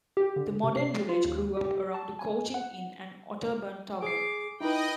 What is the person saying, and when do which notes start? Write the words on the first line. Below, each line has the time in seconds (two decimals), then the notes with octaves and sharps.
The modern village grew up around a coaching inn and Otterburn Tower.
0.17 G4
0.36 D3
0.63 C3
0.77 C7
1.09 F4
1.24 D#2
1.57 G4
1.94 A5
2.19 G#5
2.54 F#5
4.02 G#4 D6 C7
4.61 D#4 E4 B4 D#5 G5